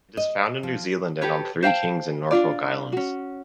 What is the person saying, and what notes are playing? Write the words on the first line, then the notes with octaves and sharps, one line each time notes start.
It is found in New Zealand and on Three Kings and Norfolk Islands.
D#5
F3
G4 A4 B4 C#5
C5 F5 G5 A5
D4 E4 F4 D5
C#4 F#4